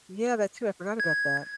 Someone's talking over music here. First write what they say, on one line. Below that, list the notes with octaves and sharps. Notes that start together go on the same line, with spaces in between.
Yeah, that too. I forgot about that.
G#6